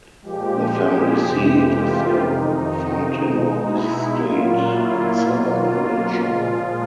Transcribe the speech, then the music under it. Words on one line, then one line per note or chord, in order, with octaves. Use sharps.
The family seat is the Fonthill estate in southern Wiltshire.
A#2 F3 G#3 G4
G#4
F2 C3 E3 G#3 G4
F4
F2 C3 D#3 D#4
B2 G#3
E4
A#2 F#3 A#3 F4
E4
B2 F#3 A#3 F4
F4
A#2 F3 G#3